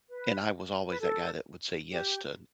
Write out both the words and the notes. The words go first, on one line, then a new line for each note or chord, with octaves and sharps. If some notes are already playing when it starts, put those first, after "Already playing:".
And I was always that guy that would say yes to,
B4
B4
A4
G4